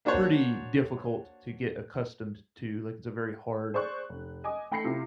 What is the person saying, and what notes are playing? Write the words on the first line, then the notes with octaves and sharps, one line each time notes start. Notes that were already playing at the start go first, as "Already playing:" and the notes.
pretty difficult to get accustomed to, like, it's a very hard
A#3 D4 F#4 C5 C#5 F#5
G#4 C5 D5 C#6 F#6
F1
D#5 G#5 D6 D#6
A3 G5 B5 A#6 C7 C#7
C3 E4 F4